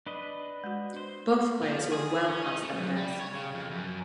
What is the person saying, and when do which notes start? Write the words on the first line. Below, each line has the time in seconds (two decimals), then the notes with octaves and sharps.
Both players were well past their best.
0.06 D4 B4 D#5
0.64 G#3 F#4
0.96 C5
1.63 F3
1.93 G#4
2.29 C#4
2.44 D#4
2.63 A3
2.75 F#2
2.96 G3
3.21 C#5
3.35 C#3
3.55 F2
3.71 F#2